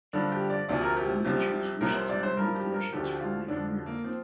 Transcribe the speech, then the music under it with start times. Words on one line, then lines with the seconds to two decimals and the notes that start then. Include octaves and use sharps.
The Manchus wished to remove the Russians from the Amur.
0.13 G2 D3 F3 D4
0.32 G4
0.50 D5
0.69 D2 C3 F3 D5
0.83 A#4
0.97 G4
1.25 C2 C3 F3 G4
1.81 C2 C3 F3 A#4
1.95 C5
2.09 D5
2.23 C5
2.37 G2 F3 A#4
2.55 G4
2.74 A#4
2.93 D2 D3 F3 G4
3.16 G4
3.20 F4
3.48 F2 D3 F3 D4
3.86 A#3
4.04 F3 C4